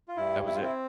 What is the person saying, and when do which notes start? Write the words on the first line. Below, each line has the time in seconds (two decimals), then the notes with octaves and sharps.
That was it.
0.08 F4
0.17 G2 E4
0.46 E4
0.54 F4
0.61 C4 E4